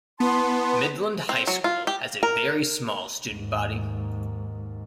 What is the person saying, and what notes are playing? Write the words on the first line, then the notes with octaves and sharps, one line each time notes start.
Midland High School has a very small student body.
B3 E4 A5 C6
C4
F#3
F4
G4
A#4
D#2 G#2